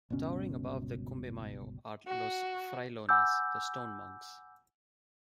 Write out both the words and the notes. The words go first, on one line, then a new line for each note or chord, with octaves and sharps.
Towering above the Cumbe Mayo, are Los Frailones, the Stone Monks.
G1 C#2 B2 C#4
F#4
F#5 G#5 B5 D6 E6 G6